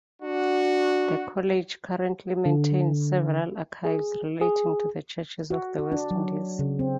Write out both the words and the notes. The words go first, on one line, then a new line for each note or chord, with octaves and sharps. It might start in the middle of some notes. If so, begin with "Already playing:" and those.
The college currently maintains several archives relating to the churches of the West Indies.
D4 F#4
D3
G#4
G#4
F#4
F#4
D4
F#3
C#3
C4